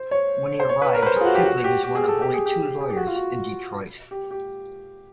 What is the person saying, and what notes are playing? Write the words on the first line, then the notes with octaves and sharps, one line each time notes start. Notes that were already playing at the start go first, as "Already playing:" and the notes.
When he arrived, Sibley was one of only two lawyers in Detroit.
Already playing: C5
C#5
C5
C#5
B4
A#4
B4
C5
G#4
F4
F#4
G4
F#4
G4
G4
G#4
A4
G4
G#4
G4
G#4
G4
F#4
F4
F#4
G4
G4